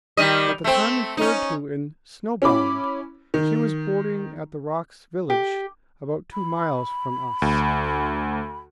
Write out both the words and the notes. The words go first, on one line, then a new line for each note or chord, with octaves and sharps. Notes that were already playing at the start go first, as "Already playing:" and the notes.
At the time referred to in Snow-Bound she was boarding at the Rocks Village about two miles from us.
D#3 G3 D#5
A3 C4
C#4 D#4
C#4 E4 B5 D6
D#3
G4
B5
D2